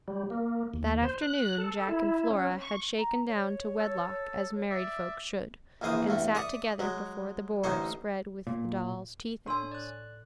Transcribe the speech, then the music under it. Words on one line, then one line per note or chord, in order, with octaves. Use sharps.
That afternoon, Jack and Flora had shaken down to wedlock as married folk should, and sat together before the board spread with the dolls' tea-things.
G3
A#3
D#2
C5
F#6
A4
E4
C#4
C#6
A#5
C#5
A4
D5 E5
A#1 G#2 E3 C5 D#6
E2 G2 A3
D5 E5 C#6 D#6
F#3 G#3
A1 D3 D#4 C5 C#5
A#2
A2 D4 C#5 G#5 C6 E6
D5 F#6